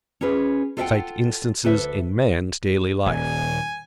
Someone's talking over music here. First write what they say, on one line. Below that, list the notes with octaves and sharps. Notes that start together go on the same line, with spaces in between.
Cite instances in man's daily life.
C#4 F4 G#4 B4
F4 A4 D#5 E5 F#5 G5
D2 A4 B4 E5
D#1 G#5